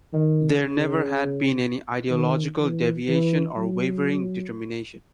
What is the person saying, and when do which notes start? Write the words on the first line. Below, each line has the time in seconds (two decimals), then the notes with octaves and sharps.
There never had been any ideological deviation or wavering determination.
0.13 D#3
0.62 C#3
2.10 D#3
2.59 E3
3.08 E3
3.56 F#3